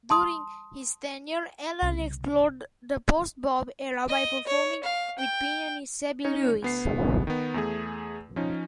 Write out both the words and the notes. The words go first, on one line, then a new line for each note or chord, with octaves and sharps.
During his tenure, Alan explored the post-bop era by performing with pianist Sabby Lewis.
A5 C6 D#6
C2 C#3
D#5
C#5
F5
G5
C#4 D#4 C#5
D2 B3 C7
D#3 B3
E2 A3 G#4
F3 C#4 D#4